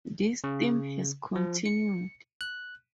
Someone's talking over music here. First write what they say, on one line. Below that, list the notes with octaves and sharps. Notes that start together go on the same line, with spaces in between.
This theme has continued.
C#3
F3
C#7
F#6